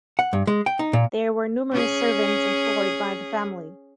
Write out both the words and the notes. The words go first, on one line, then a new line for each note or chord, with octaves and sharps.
There were numerous servants employed by the family.
F#5
G2
G#3
G5
D#4
A#2
C#4 G#4